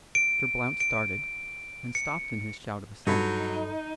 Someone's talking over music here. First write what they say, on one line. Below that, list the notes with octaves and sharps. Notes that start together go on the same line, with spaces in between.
Mr. Blount started, and stopped in his shout of assent.
D7
D7
C#7
G2 F#3 D#4 A4 B5